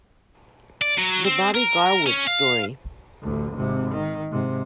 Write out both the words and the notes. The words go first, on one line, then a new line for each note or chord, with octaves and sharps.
The Bobby Garwood Story.
D5
F#3
C4
A#4
C#4
F5
A1 D2
G#1 C3
D#3
G#2 C3